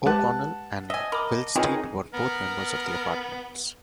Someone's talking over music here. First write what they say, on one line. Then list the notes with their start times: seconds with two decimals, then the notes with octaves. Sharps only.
O'Connell and Willsteed were both members of the Apartments.
0.06 G#3 G4 B4 F#5 A5 F#6
0.90 D#5 E5 G#5
1.12 A#4 B5 D6
1.56 D#3 E3 C4 C#4 D#4 F4 G#4
2.14 B3 A#4